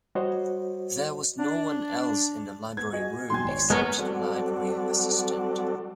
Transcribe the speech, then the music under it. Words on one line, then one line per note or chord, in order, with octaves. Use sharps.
There was no one else in the library room except the library assistant.
G3 F#4 C5 C#5 D#5
D4
B3 G#6
F#4 G#4 D#5
D#2 B2 G#5 C6 G#6
G#1 C#5
G#3 B3 A#4 C#5 G#6
F#3 G3 C4 F#4 A4 D5